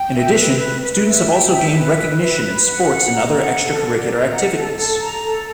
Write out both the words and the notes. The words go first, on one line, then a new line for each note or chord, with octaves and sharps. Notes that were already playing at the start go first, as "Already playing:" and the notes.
In addition, students have also gained recognition in sports and other extracurricular activities.
Already playing: G5
E5
B4
B4
B4
E5
G5
E5
B4
E5
B4
B4
F#5
F#5
A#5
F#5
A4
D5
A#5
F#5
A4
A4
A#5
A4